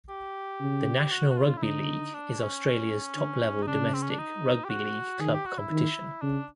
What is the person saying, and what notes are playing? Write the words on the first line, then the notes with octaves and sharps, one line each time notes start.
The National Rugby League is Australia's top-level domestic rugby-league club competition.
G4
C#3
F#4
F#4
F4
E4
D3 D#4
D4
C#4
D3
D#4
C#3 D4
C4
C#4
D4
D#4
G4
F#4
D#3 G#4
G4
F#4
E4
D#3
C#3 D4